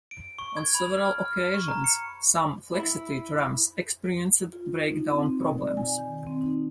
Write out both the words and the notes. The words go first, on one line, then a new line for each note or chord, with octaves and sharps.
On several occasions, some Flexity trams experienced breakdown problems.
D7
C#6
G#6
B5
F6
F6
C#6
A#5
C#7
E4
F4
D#4
C4
B2
D5
G#5
D#3
C4
D#4